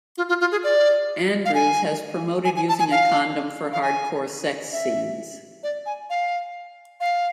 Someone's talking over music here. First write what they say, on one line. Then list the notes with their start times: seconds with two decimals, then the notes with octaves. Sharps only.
Andrews has promoted using a condom for hardcore sex scenes.
0.18 F4
0.29 F4
0.41 F4
0.52 G#4
0.64 D5
1.45 F5
1.54 G#5
2.45 G#5
2.56 G#5
2.69 A5
2.79 G#5
2.91 F5
3.73 F5
3.82 G#5
4.72 E5
5.63 D5
5.86 G#5
6.10 F5
7.00 F5